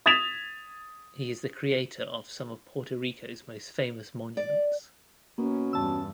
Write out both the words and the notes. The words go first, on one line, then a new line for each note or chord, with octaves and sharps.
He is the creator of some of Puerto Rico's most famous monuments.
D#6 G#6 A6 B6 E7 F7
D5
B2 A#3 C#4
E2 G2 A5 E6